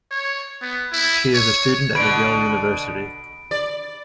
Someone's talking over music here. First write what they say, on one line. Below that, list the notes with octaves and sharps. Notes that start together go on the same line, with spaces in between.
She is a student at McGill University.
C#5
B3
E4
C#5
B2 D3 B5 D7
D5